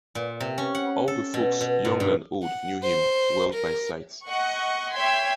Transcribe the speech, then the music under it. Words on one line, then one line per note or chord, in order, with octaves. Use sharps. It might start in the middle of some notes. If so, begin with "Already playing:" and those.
All the folks, young and old, knew him well by sight.
A#2
C3
C#4
F#5
A4
B2
B2
G#2
G2
F#5
C5
A#4
D#5 F#5 C#6
C#5 E5 G5 C6 G#6 B6